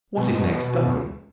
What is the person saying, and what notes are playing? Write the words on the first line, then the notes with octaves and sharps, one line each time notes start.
What is next done?
B2
G#2
B2